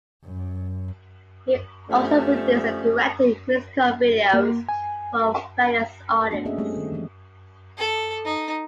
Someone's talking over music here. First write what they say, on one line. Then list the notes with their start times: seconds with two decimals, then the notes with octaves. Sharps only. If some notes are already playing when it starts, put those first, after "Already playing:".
He also produced and directed musical videos for various artists.
0.25 F#2
1.90 D3 F3 A3 C#4 G4
4.33 A#3
4.69 G#5
6.31 A3 B3 D4 F#4
6.45 A#3 C#4 G#4 A4 D#5 E5
6.58 G3 A3 C4 G4 G#4
6.76 D#3
6.92 E3 F3 A3
7.77 A4
8.25 D#4